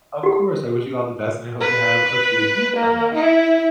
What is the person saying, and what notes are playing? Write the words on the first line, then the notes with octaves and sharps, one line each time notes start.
Of course. I wish you all the best and I hope you have a good week coming up.
F#4 G4
B4
A#3
E4